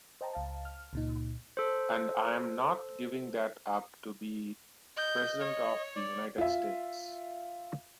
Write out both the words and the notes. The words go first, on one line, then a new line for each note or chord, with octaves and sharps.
And I'm not giving that up to be President of the United States.
C5 D#5 G5 A5 A#5
C#2 F5 A5
F6
C#2 A#2 D#4
A4 C5
D#5 G6
C#5
D5
F4 E5